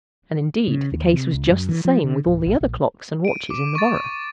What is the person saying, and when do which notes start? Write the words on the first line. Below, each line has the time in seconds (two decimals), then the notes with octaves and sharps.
And, indeed the case was just the same with all the other clocks and watches in the borough.
0.68 C#3
0.91 D#2
1.13 C3
1.33 C#2
1.50 F#2
1.69 E3
1.85 F3
2.04 D3
2.26 D1
2.46 A#1
2.60 A#1
3.25 D7 D#7
3.50 D6
3.75 C#6 A6